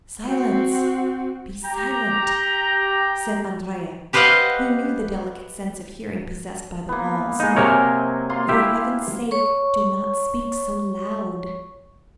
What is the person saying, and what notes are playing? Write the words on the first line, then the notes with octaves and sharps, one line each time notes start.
"Silence,--be silent!" said Andrea, who knew the delicate sense of hearing possessed by the walls; "for heaven's sake, do not speak so loud!"
C4 F#4
G4 A#5
G4 B4 C5 D#5 F5 F#5
A#3 B3
G#3 A#3 D#4
C3 F#3 A#4 C#5 D#5 G#5
A#3 F4 C6
E4 G4 E5
C#5 C#6